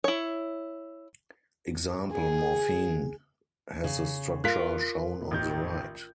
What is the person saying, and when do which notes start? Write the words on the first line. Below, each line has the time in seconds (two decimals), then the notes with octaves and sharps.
Example: Morphine has the structure shown on the right.
0.04 E4 C#5
2.12 G#4
3.84 C#3
4.44 F4 A#4 F#6 B6
5.31 A1 D#3 G6